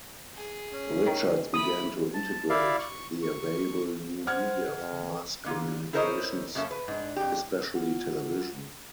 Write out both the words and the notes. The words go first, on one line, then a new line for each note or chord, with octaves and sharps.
Richards began to integrate the available new media for mass communications, especially television.
G#4
C#4
D#3
E4 B5 D#6
A5
E4 D5 E5 F5
C#6
C#6
C5 F#5 F6 G#6
F2
D3 A#3 F4
E4 A4 A#4 C5 C#5 D#5
F#2 A#3 C#4 A4 E5
B4
G#2 D4
F2 G4
F4 F#5